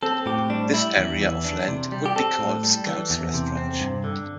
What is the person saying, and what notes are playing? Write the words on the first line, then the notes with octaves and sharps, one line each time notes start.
This area of land would be called "Scout's Rest Ranch".
C4 A4
A2 G4
G3 D4
G3 E4
E2
E3
D4
C3
G3
G4
C4 A4
A2
G3
E3
E2
C3
C4
G2
D3